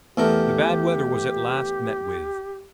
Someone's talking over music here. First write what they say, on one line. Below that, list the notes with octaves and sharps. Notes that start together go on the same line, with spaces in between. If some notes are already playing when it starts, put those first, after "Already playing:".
The bad weather was at last met with.
E2 A3 G4 A#4